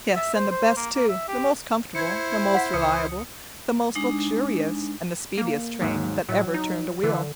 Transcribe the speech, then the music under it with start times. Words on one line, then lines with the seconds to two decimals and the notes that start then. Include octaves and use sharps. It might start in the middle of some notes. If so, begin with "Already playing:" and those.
Yes, and the best too,--the most comfortable, the most reliable, the most luxurious and the speediest train that ever turned a wheel.
0.16 E5
0.35 C5
0.51 C5
0.77 A#3
0.95 A#3
1.09 E5
1.28 G4
1.95 E4 C5 G#6 C#7
2.54 F#5 B6
2.73 C#2 D#6 C#7
3.95 G#3 D4 D#4
5.37 A#3
5.81 D#2 G#2 F#3
6.29 A2 F#3
6.54 D#4
7.03 D3 E3